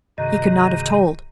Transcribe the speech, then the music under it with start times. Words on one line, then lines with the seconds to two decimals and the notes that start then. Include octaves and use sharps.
He could not have told.
0.18 G2 C3 D#3 G#3 F#4 D#5 A#5